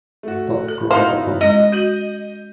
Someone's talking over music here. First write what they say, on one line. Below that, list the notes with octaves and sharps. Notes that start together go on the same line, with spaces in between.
Dust ground upon it.
A3 F#4
A4
B3 D#4 E4 F#4 C5 F5
G#3 C#4 D#5
F#4 G6 D#7 F#7